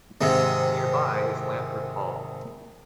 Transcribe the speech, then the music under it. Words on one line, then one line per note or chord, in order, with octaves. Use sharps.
Nearby is Lamport Hall.
G#2 C3 D#3